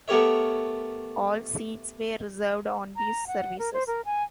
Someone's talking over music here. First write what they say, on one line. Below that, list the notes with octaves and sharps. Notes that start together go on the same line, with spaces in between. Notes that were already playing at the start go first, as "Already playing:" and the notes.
All seats were reserved on these services.
A3 B3 G4 A#4 C#5 E5
A#5
F#5
A#4
C5
A#4
G#5